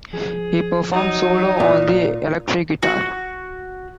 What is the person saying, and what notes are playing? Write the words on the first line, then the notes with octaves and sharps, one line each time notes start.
He performs solo on the electric guitar.
F3 G#4
F#3 D#4
A#2
F#4